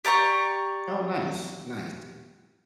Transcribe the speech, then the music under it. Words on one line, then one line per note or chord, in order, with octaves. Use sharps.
Oh, nice, nice.
G4 D5 A#5 C#6